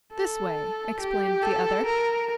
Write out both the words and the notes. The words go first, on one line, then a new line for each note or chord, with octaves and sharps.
"This way," explained the other.
A4
G4
A4
A#4